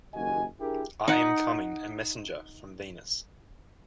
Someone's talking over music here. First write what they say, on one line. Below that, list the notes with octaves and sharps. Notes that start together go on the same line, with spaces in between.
I am coming, a messenger from Venus...
F#1 D#2 F#4 D#5 G#5
D4 E4 G4 G#4 A#4
D#4 F#5